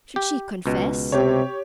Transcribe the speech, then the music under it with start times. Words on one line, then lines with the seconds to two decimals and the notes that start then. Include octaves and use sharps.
Should she confess?
0.16 G4
0.66 C#2 B2
1.12 C3 G4 C#5